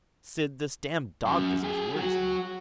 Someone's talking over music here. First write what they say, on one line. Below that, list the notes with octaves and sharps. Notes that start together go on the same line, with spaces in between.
"Sid, this damn dog business worries me."
F#2
G4 G#4
F#3 F#4